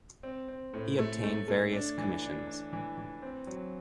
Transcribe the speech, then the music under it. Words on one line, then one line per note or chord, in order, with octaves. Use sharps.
He obtained various commissions.
C4
C4
A2
A3
A3
A3
D4
E3
D4
D4
E3
E3
C4
F#3